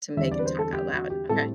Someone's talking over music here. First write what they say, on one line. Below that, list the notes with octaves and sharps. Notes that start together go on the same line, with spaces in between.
to make it talk out loud. Okay.
E2 D3 G3 C4 E5
D5
B4
C5
A4
G4
F#4
G4
A2 G3 C4 A4